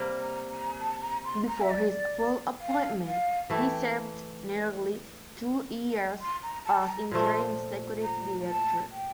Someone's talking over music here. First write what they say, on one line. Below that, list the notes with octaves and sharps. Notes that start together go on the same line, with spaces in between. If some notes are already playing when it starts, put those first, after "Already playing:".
Before his full appointment, he served nearly two years as interim Executive Director.
Already playing: C3 G3 A#3
A#5
A#5
A5
A#5
C6
A#5
E5
D5
F5
F5
E3 A3 E4 G5
C6
A#5
A5
A5
A#5
A#2 F3 A3 C6
A#5
A5
G5